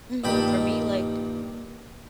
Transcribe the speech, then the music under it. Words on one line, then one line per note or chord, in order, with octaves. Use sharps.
Mhm, for me, like
G2 A#2 D#3 G5 A5 B5